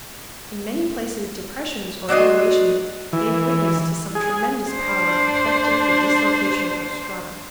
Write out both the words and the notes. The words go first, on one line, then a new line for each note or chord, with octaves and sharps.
In many places depressions or elevations gave witness to some tremendous power effecting the dislocation of strata.
F#3 D4 C5 D#5
E3
G#4
D4 C5